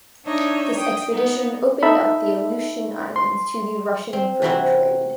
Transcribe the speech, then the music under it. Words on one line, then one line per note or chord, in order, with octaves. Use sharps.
This expedition opened up the Aleutian Islands to the Russian fur trade.
D4 D#4 C#5 D#5 E5
G5 D#6
B3 D#4
D#4 A4 E5 B5
C6
C4
C3 E3 F#3 C4 E4 F#4